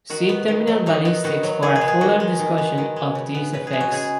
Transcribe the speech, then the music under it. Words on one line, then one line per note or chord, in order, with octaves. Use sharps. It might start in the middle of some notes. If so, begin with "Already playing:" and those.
See terminal ballistics for a fuller discussion of these effects.
D#3 F#4
B3
D#3
F#3
D#3 D#4
B3
D#3 F#4
F#3
D#3 G#4
G#4
B3
G#4
D#3 F#4
G#3
D#3
B3
D#3
G#3
C#3
B3
C#3 B4
G#4
G#3
F#4
C#3 G#4